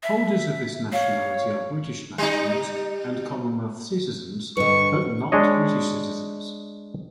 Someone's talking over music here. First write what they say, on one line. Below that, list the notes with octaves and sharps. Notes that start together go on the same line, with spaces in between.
Holders of this nationality are British nationals and Commonwealth citizens, but not British citizens.
E5
C#5 F5
G3 D#4
G2 D3 B4 D#5 C#6
G#3 D4 C#5 D#5